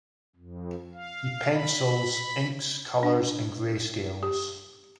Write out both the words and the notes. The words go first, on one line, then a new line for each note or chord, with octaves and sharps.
He pencils, inks, colors and greyscales.
F2
F5
B5
D4
G4